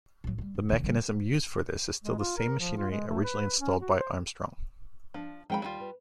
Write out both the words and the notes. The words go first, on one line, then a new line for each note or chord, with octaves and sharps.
The mechanism used for this is still the same machinery originally installed by Armstrong.
A2 F#3
F#3 G3
F#1
D#2 D3
D3 G3
G#3
F4
A#4
F3
F4
G#3
A3
B4
C#4
F#4
C5
F3 D4
D#3 F3 G#3 C4 G5 B5
D#2 G3 D#4 F4
B4